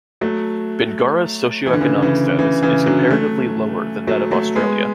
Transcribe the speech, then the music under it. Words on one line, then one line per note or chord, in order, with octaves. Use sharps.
Bingara's socioeconomic status is comparatively lower than that of Australia.
F#3 A3
E3
D3
C#3 E3
C#3 E3
C#3 E3
C#3 E3
D3 F#3
F#3 A3
F#3 A3
F#3 A3
G#3 B3